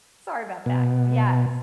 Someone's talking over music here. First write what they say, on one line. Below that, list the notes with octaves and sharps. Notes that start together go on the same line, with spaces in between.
sorry about that, yes.
B2